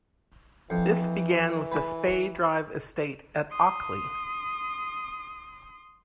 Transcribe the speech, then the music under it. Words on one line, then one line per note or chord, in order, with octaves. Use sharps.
This began with the Spey Drive Estate, at Auckley.
F2 E3
B4 G#5
C6 D#6